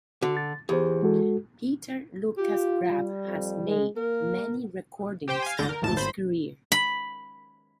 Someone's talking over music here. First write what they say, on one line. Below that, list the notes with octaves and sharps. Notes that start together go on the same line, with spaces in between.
Peter-Lukas Graf has made many recordings in his career.
D3 F#4
A6
E2 G4 C5
G#3 F#4 A4
F4 G4
G3
F2
G#3
A#3 A#4
G4 C5 G5
F5 G#5
G1 D2 D3 G6 A6 A#6
A#4
G#1 D#2 A2 A5
G#1 C5 B5
B5